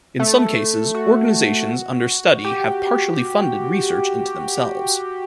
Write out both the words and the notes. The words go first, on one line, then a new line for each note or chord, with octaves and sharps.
In some cases, organizations under study have partially funded research into themselves.
A3
F#4
G4